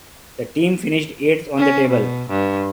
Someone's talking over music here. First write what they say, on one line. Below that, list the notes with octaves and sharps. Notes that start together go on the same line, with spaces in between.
The team finished eighth on the table.
C#4
B2
G2